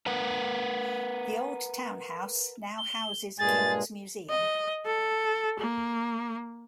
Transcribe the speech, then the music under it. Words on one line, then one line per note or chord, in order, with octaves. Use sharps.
The Old Town House now houses King's Museum.
A#4 B4 F#5
G7
G2 A#2 G#3 G#4 A6
D#5
A4
A#3